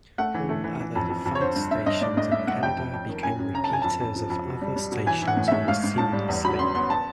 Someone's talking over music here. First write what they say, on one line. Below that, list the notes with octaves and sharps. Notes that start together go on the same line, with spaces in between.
All other defunct stations in Canada became repeaters of other stations almost seamlessly.
A3 F#5
E3
A3
E3
E3
F2
F2
F2
C#5
D3 C5
G2
G2 E5
G2 D#5
A2 D5
A2 D#5
A2 E5
A2 F#5
F2 G5
F2
F2
D#3
F#2 G#5
F#2
C#3 A#5
A5
F#2 G#5
F2 A5
F2
F3
F2
B2
G3
G3
B2
E3 G#5
E3
F#5
A2
A2 E5
G#2 F5
G#2
G#2 A5
G3
E2
F#3 B5
C#3 C6
B3 C6
A5